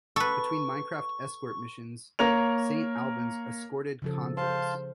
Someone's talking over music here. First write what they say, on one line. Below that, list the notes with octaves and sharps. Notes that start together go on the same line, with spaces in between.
Between minecraft escort missions, "Saint Albans" escorted convoys.
A4 B4 C#6
A#3 A#4 C#5 F7
C#3 F3 A4
C5 F5 A5 C6